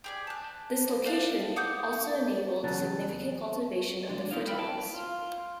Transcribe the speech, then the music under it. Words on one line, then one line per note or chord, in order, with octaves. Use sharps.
This location also enabled significant cultivation of the foothills.
G4 G#4 D5
A5 F#6
D5 F5 F#5 A5
G#4 F#5 D6 G6
E2 C#3 F#3 A5
F3 G#3 D4
B3 D#4 E4 F5
E4 A#4 B4 E5 G5 B5
G5 A5
F4